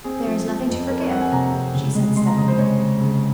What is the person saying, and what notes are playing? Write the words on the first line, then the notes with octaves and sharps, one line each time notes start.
"There is nothing to forgive," she said steadily.
C4 G#4
F3
F3
F2
C4 A#4
C#5
C4 F#5
G#5
C3 A#5
C3
C#3
G#3
G#3 C6
A#5
C#3 D#5
C5
G#3 C#5
C#3
C#3